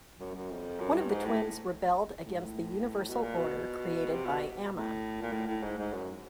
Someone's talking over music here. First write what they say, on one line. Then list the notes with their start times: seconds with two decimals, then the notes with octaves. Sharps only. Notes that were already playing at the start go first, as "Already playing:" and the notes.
One of the twins rebelled against the universal order created by Amma.
0.19 F#2
0.35 F#2
0.50 F2
0.79 F#2
0.94 G2
1.10 G#2
1.25 A2
2.26 A2
2.30 G#2
2.46 A2
3.10 B2
3.22 A#2
3.37 B2
4.12 C3
4.26 B2
4.72 A2
5.21 A#2
5.32 A2
5.47 A2
5.63 G#2
5.78 G#2
5.93 F#2